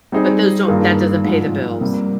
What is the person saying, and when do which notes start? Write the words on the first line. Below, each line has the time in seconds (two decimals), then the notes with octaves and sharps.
but those don't that doesn't pay the bills.
0.12 G3 C4 D#4 G#4
0.68 G2 D#3 A#3 F4 G#4
1.25 G#2 F3 G#3
1.81 C3 G3 A#3